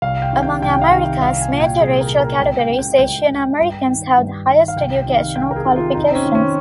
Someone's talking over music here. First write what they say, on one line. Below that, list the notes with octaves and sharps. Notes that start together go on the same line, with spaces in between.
Among America's major racial categories, Asian Americans have the highest educational qualifications.
C2 F5
G5
C3 D#3
G5
C2 G5
G5
F5
C3 D#3
C2 F5
G#5
A#2
G5
C2 G#4
A#4
A#2
A#4
C#2 G5
G5
C#3
G5
C#2 G5
C#3
G2
D#3
G2
D#3
F5
C2 G5
G5
C3 D#3
F5
C2 G5
A#4
G#4
C3 D#3
F4
F2 D#4
C4
C#4
D#3
C#4